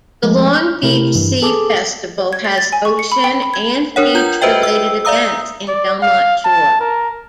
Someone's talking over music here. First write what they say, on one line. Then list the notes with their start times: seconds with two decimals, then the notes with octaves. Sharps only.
The Long Beach Sea Festival has ocean- and beach-related events in Belmont Shore.
0.23 F3 G#3 A3
0.55 F6
0.83 C3 A3 E4 A#4
1.15 G2 E3
1.42 G#4 A4 A5 D6
2.18 C#5
2.33 G#6
2.45 A6
2.58 A6
2.72 G#5
2.85 C#6
2.99 C#7
3.12 B5
3.24 G5
3.42 B5
3.54 G#6
3.96 D4 A#4 C#5 F#5
4.15 F4 G6
4.42 F#4 B4 C5 D#5 E5 G5
4.63 E6
5.05 D5 E5 F5 A#5 D#6 E6
5.68 D5
6.02 F5
6.45 A5
6.80 A#4